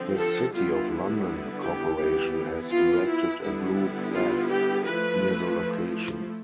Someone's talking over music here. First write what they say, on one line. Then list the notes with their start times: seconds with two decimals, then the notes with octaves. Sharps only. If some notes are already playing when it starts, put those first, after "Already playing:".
The City of London Corporation has erected a Blue Plaque near the location.
Already playing: D3 F3 C4
0.17 A4
0.53 D3 G3 B3 E4 F4
1.61 G4
1.98 E3 B3 E4
2.70 F4
3.06 E4
3.42 D3 G3 B3 E4
4.14 F4
4.50 G4
4.86 F3 A3 E4 B4